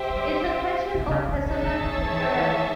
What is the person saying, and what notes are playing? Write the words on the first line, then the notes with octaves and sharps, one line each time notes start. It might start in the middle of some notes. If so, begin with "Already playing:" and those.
It's a question of personal preference.
Already playing: G4 C5 E5 G5
G#3
G3
F3
C#3
C3
C#3
D#3
D#3 D#4 G#4 C#5 E5 A5
D3
D#3
F3
E3
D#3
E3